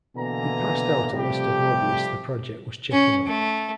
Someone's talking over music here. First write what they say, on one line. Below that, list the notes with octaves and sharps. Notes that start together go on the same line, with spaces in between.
He passed out a list of lobbyists the project was checking on.
B2 D3 E3 A#3 G#5 A#5
C3 F3 G3 A3 G4
C#4
A3